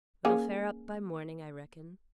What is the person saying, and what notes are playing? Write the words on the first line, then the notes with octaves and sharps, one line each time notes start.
It'll fair up by morning, I reckon.
A#3 C#4 G#4